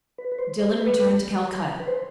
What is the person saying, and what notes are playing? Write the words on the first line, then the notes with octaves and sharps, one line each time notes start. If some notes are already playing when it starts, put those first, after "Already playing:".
Dillon returned to Calcutta.
B4
B4
C5
C5
B4
B4
C5